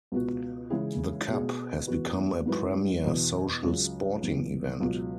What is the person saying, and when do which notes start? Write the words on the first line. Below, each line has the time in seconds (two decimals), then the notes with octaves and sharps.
The "Cup" has become a premier social sporting event.
0.12 C#2 B2 B3 F#4
0.70 C#3 E3 G#3 E4 G#4
1.29 B2 B3 G#4
1.87 E3 B3 F#4 B4
2.46 G#2 F#3 E4 B4
3.04 E2 B2 B3
3.63 C#2 C#3 F#3
4.21 F#2 E3 B3
4.80 C#2 B2 F#3